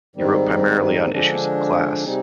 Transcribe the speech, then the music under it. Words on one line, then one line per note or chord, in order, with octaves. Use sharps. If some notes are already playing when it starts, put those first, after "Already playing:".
He wrote primarily on issues of class.
G#2 D#3 G3 C4
D3 F3 G#3 D4
C3 G3 C4 D#4 G#4